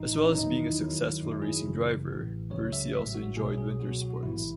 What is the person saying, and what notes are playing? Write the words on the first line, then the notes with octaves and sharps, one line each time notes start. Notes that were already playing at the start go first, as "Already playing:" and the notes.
As well as being a successful racing driver, Percy also enjoyed winter sports.
Already playing: A1 A2 E3 D#4
D#4
C#4
E2 D#3 F#3 D#4
E4
D#2 D#3 F#3
F#2 D#3 F#3 D#4
E4
G#4
G#1 F#2 C#3 E3
A1 A2 E3
C#2 C#3 F#3 C#5
E5
A1 A2 F#3 E5
F#4
B1 B2 F#3 G#4
G#4
C#2 B2 F#3 F#4
F#4
A1 G#2 E3 E4